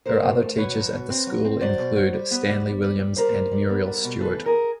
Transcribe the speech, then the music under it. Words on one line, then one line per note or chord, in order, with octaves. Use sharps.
Her other teachers at the school include Stanley Williams and Muriel Stuart.
A3 A#4 C5
B2
A3
B2 B4 C#5
F#3
B2
C4
F#3
C4
F#3 C5 D5
B2
F#3
G3
B3
G3
G3
G3
G3
G3 A#4 C5
G3
G3
B3
G3
B2
E3 A4 B4
E2
G#4 A#4